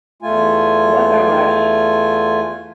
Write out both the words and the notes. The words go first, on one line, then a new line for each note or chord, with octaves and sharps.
What a rush.
E2 A3 F4 G#5